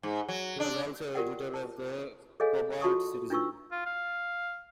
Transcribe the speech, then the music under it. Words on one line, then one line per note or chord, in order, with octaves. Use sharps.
He was also editor of the Cobalt Citizen.
G#2
F#3
D4
F4 G4 A#4 D5 F#5 G5
A5
G#4 A4 C#5 D#5 F5 G#5
F4 F#4 A5 B5 C#6 D#6
D4 D#4 F4 B4 C#6 E6
F4
F5